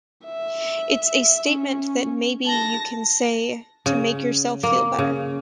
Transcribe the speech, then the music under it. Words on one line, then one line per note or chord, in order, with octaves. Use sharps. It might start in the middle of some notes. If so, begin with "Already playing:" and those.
It's a statement that maybe you can say to make yourself feel better.
E5
C#4
A5 A#6
C#3
A#3
C#3